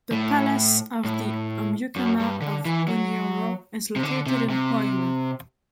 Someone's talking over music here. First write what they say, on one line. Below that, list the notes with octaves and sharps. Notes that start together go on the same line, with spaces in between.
The palace of the Omukama of Bunyoro is located in Hoima.
A2
A2
F#2
G2
D3
E3
F#3
C3
D3
C3
C3